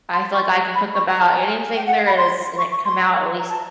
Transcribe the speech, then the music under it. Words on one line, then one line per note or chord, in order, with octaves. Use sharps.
I feel like I can cook about anything there is and it come out at least
C6
C#6
B5
C#6
A#5
G#5
G5
F#5
F5
B5
C6
C#6
C#6
C6
A#5
A5